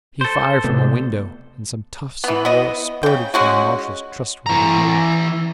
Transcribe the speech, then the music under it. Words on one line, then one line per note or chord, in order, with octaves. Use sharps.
He fired from a window, and some tufts of wool spurted from the marshal's trustworthy bulwark.
A4 C5
C3 A3 B3
E3 B3
B3 D#5
C#3 G5
G#3 C#4 F#4
E3 A#5